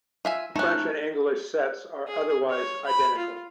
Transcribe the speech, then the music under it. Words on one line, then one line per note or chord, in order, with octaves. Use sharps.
The French and English sets are otherwise identical.
F4 E5 G#5
A3 C#4 D#4 F#6
G#4
C#5
B5
F4